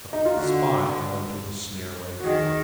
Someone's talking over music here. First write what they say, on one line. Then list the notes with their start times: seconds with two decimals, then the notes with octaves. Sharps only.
The spy fell into the snare laid for him.
0.13 D#4
0.25 F4
0.37 D3 F#4
2.20 F#4
2.24 D#3 G#4